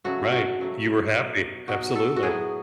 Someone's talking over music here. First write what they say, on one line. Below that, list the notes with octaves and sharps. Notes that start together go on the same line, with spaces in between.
Right, you were happy, absolutely.
C#3 F#3 A3 F#4
F#4
C#3 F#3 A3
B2 F#3 B3
B2 F#3 B3 F#4
A4
F#4
A2 F#3 B3 G#4